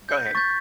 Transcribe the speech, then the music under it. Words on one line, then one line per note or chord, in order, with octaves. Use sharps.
Go head.
G6
B6
C#6 G6 A6